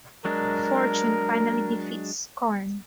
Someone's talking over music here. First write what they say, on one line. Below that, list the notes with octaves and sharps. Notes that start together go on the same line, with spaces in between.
Fortune finally defeats Scarn.
F#3 G#3 D4 A#4